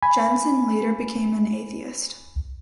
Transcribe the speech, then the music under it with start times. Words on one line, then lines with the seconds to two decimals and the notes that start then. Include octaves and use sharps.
Jensen later became an atheist.
0.02 G#5 B5